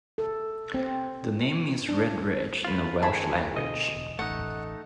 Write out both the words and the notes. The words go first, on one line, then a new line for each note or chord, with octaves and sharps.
The name means 'red ridge' in the Welsh language.
A4
C4
D4
F4 B4
D#3 G#4 A5 B5
B2 D3 D#5
E1
A1 A3 D#4 F#5